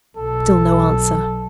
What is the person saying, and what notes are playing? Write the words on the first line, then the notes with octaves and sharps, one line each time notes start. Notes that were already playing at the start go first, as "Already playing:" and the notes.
Still no answer.
B1 A4